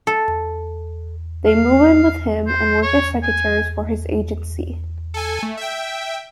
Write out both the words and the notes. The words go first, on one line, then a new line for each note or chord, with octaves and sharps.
They move in with him and work as secretaries for his agency.
A4
F5
C5
C#5
G#5
A4 G#5
A3
E5 G5